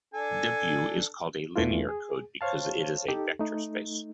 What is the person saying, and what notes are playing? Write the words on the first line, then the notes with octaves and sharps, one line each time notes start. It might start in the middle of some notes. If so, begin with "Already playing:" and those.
"W" is called a linear code because it is a vector space.
D4 A4 G#5
E2 E3 A3 D4 F4
G#4
C5 C#5 F5 A5
D#4 G4 A4
A3 D#4